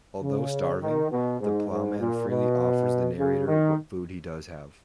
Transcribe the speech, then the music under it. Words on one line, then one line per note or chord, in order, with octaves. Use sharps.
Although starving, the Plowman freely offers the narrator what food he does have.
C#3
D#3
B2
G#2
G#2
A#2
B2
C#3
D#3